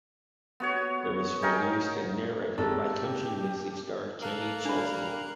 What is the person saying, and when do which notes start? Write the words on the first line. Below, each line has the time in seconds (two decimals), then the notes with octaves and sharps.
It was produced and narrated by country music star Kenny Chesney.
0.60 B3 F#4 C#5
1.42 D#4 G#4 A#4 G5
2.58 G#1 G4 A4
4.22 A#3 A4 A#4 F#6
4.65 G3 D4 B5